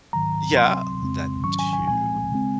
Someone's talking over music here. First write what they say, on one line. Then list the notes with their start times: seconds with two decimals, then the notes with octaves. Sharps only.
Yeah, that too.
0.13 G#2 D#3 F#3 A#5
0.57 C3 F#3 C4 C6
1.01 F2 C#3 G#3 C4
1.44 G#2 D#3 F#3 C#4 C#6
1.59 G#5
1.73 G#5
1.88 A#2 F3 G#3 C4 G#5
2.31 C#3 G#3 C4